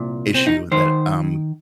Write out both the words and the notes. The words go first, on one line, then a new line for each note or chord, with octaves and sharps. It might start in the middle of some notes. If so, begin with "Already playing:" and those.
issue that, um
Already playing: C2 A#2
C4
D#4
D#3 C5